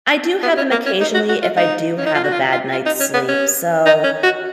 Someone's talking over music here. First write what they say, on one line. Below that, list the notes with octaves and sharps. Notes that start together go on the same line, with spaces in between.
I do have them occasionally if I do have a bad night's sleep, so
B3
C#4
A#3
C#4
D#4
F#4
F#4
F4
D#4
C#4
D#4
F4
F#4
F4
F4
F4
D#4
C#4
B3
C#4
D#4
C#4
F#4